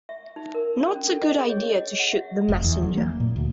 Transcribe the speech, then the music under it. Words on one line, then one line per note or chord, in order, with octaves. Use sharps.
Not a good idea to shoot the messenger.
E5
D#4
A#4
D4
C#4
A4
D#5
G#4
C#5
D#5
F#5
E5
F1
E2
F#3
A#3
A#2
D2